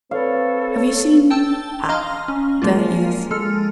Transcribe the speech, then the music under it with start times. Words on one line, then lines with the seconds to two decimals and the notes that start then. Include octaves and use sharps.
Have you seen--ah! there he is.
0.11 C4 A4 B4 C#5 F5
1.30 G5 A5 E6
1.89 D#5 F5 A#5 C6 F6
2.28 C#4
2.62 F3 G#3 A#3 F4
3.30 G#3 A4 F6